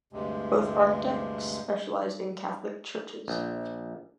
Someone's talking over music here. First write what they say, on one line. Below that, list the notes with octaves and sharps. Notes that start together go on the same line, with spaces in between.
Both architects specialized in Catholic churches.
D2 G2 C3 G#3
A#1